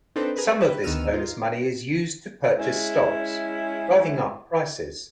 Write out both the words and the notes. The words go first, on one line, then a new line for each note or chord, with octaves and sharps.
Some of this bonus money is used to purchase stocks, driving up prices.
C4 D4 D#4 A4 B4 C5
G#4 A#4 B4
B4 G5
D2 D#3 B3 E6 F6 D#7
D#4 F4
G#3 C#4 E4